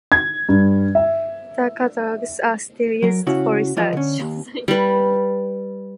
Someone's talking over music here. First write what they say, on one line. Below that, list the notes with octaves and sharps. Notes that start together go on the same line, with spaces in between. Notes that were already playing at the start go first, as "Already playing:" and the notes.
The catalogs are still used for research.
G#6
G2
E5
F#3 A#4
C#3 C#4 E4 F#4
E3 F3 F4 B4 D#5
D3 C#4
D#2
G3 B4